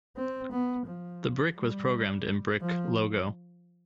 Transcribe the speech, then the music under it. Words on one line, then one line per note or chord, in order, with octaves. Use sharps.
This brick was programmed in Brick Logo.
C4
B3
F3
G3
F3